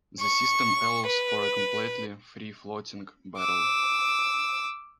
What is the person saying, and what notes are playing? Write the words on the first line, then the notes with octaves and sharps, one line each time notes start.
This system allows for a completely free floating barrel.
C#6
B4
D6 E6